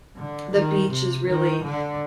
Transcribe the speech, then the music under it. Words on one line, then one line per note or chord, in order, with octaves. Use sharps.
the beach is really,
D3
D#3
C3
D#3
D3